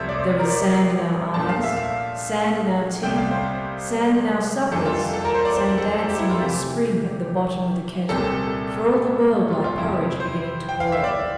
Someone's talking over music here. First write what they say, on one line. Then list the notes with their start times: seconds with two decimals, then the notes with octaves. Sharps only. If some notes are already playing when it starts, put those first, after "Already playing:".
There was sand in our eyes, sand in our teeth, sand in our suppers, sand dancing in the spring at the bottom of the kettle, for all the world like porridge beginning to boil.
Already playing: C2 C3 F3 A3 C5 E5
0.09 D5
0.18 C5
0.39 A#4
0.50 D5
1.34 A#2 F3 A3 D4 A5
1.49 F5
1.63 E5
1.77 F5
3.03 C2 C3 G3 G5
3.18 F5
3.31 C5
4.71 F2 E3 G3 A#3 D4 A4
4.85 F4
5.13 A4
5.25 A#4
5.34 C5
5.45 D5
5.57 C5
5.78 A4
5.98 A4
6.09 G4
6.19 E4
6.30 F4
6.40 C3 E3 A3 G4
8.09 C2 A#2 G3 C4 A4
9.50 F4
9.64 F4
9.78 F2 C3 F3 E4
10.20 C5
10.69 G5
10.80 F5
10.92 E5
11.04 D5